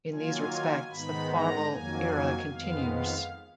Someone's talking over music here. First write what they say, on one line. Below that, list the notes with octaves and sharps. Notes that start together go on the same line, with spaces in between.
In these respects, the Farmall era continues.
D#3 F#3 A#3 F4 G#5
G#2 D#3 G#3 B3 D#4 B5
A#5
F2 D#3 F#3 A#3 G#5
F2 D#3 G#3 B3 F5
F5